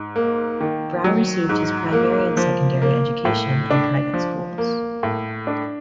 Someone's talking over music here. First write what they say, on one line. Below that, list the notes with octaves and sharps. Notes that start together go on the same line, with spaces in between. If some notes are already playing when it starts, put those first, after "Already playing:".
Brau received his primary and secondary education in private schools.
Already playing: G#2
A#3
D#3
F#3
G#2
A#3
F3
A#3
A2
D4
F3
A#3
A2
D4